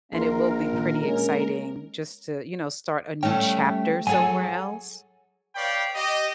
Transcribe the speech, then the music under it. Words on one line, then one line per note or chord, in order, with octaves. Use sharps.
and it will be pretty exciting just to, you know, start a new chapter somewhere else.
A#1 G#4 A#4 C6
A#2 D#3
G#3 A#3 C#4
G3 A3 C#4 G5
F#3 G#4 A4 G#5
B4 C#5 D5 F5 G5 B5
G4 D#5